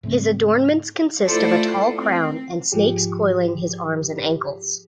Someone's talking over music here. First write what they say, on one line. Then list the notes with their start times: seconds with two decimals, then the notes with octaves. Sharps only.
His adornments consist of a tall crown and snakes coiling his arms and ankles.
0.03 G#2 C#3 A3 C4
1.26 A3 E4 F4 A4 C5 D5
1.97 C4
2.72 G#2 F3 G4 G#4